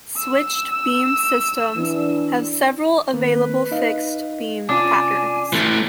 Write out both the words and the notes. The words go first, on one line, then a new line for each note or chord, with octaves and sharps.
Switched beam systems have several available fixed beam patterns.
E6
E3 D4
D#3 A#3 C4 B4
D#4 D#5 F5
C3 C#4 D4 F4 G#5 D6
E3 A3